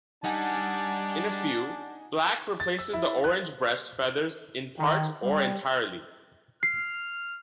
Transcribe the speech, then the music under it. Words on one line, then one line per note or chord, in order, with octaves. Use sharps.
In a few, black replaces the orange breast feathers in part or entirely.
G3 D4 D#4 F#5 G#5 A5
A6
E6
E4
F#6
D#3
G3
F6 C7